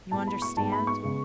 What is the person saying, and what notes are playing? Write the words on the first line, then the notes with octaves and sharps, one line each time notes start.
You understand?
A2 G#3 B3 A5
B5
C#6
G#2 G#3 B3 A5
B5
C#6
C#3 G#3 B3